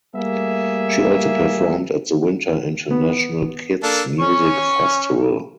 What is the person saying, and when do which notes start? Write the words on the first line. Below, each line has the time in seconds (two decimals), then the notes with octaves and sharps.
She also performed at the Winter International Kids Music Festival.
0.14 G3 A3 A#3 G#4 E5
2.91 B3
3.83 A#3 D4 A4
4.20 C#4 C#6